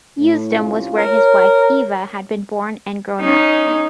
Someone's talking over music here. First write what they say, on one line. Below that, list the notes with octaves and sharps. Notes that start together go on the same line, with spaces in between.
Usedom was where his wife Eva had been born and grown up.
A2
C2 C#4 F4
A#4 C#5
C#4 D#4